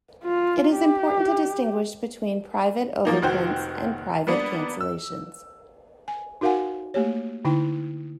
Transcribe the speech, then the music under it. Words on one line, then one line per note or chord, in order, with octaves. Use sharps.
It is important to distinguish between private overprints and private cancellations.
F4
G4
F3 A#3 D#4
F1 D#3 F#4 C5 G5
G3 A#3 B3 D4
E6
G#5
D#4 F#4 A#4 F5 F#5 G#5
A3 A#3 G4 C#5
D3 D#4 E4 G5